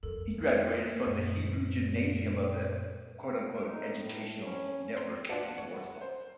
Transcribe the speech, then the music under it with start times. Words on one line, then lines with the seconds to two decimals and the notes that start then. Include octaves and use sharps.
He graduated from the Hebrew Gymnasium of the "Education" network in Warsaw.
0.03 F2 A4 A#4
1.06 F#2 A#2 G#3 B3
3.68 D#4
4.03 A2
4.46 C#4
4.97 C4 A#5 C6
5.29 B2 D4 F4 F#5
5.58 C#5
6.01 C5